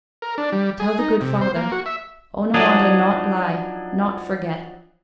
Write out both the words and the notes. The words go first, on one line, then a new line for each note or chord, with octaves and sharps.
Tell the good father, Onawandah not lie, not forget.
A#4
D4
G3
G#4
D#4
C3
C5
A#3
F#4
E5
F3 F#3 D4 D#4 G#4